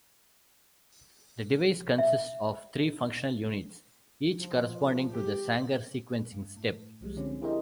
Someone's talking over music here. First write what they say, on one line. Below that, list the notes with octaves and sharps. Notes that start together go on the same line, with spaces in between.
The device consists of three functional units, each corresponding to the Sanger sequencing steps.
E5
F3
G4
G2
A2
C2 F3 G3 G#3
D3 C4 C#4
E4 G4 G#4 A#4 C5 D#5